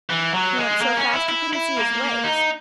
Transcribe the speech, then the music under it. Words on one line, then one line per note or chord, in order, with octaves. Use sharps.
He went so fast you couldn't see his legs.
E3
F#3
G#3
A#3
C#4
E4
E4
E4
A#3
D#4